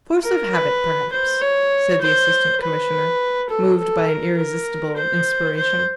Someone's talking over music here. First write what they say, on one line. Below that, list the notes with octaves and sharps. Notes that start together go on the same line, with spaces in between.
"Force of habit perhaps," said the Assistant Commissioner, moved by an irresistible inspiration.
A#4
B4
C5
C#5
C5
B4
A4
A4
A#4
A#4
C5
C5